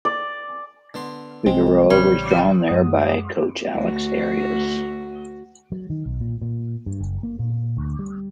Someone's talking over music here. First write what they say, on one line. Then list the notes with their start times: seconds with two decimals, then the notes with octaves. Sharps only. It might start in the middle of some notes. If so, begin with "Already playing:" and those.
Figueroa was drawn there by coach Alex Arias.
0.05 D5
0.94 D3 B3 C6
1.46 C2 G#3 C4
1.90 A1 C#3 G3 C#5
2.69 F#2 G#3 F#5 D#6
3.73 D2 F#4
5.72 F#3
5.90 D#3
6.06 B1
6.20 A#2
6.42 A#2
6.86 G2
7.01 F#1
7.23 A#3
7.39 A#2
7.77 D2
7.99 G3